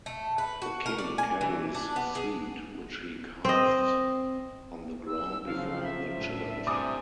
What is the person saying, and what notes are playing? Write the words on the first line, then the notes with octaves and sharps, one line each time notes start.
The king carries seed which he casts on the ground before the church.
A3
B4
F#4
A#4
D5
G#5
E3
D4
B3
G#4
C4 D#5
E6
C#3 F3 F#3 F5
E5
A2 G3 D4
C3 G#5 D6 D#6